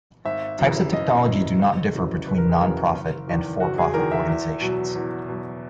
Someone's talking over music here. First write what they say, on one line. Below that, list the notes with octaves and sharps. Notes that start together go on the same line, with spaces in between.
Types of technology do not differ between nonprofit and for profit organizations.
G#1 E5
F#2 C#3 E3
G#1 D#5
F#2 C#3 E3
F#1
F#2 E3
F#1 B4
A#4
G#4
F#2 E3 A#4
F#1
E2 D#3
F#1 F#4
G#4
E2 D#3 A#4
E5
E2
B2 F#3
E2
B2 F#3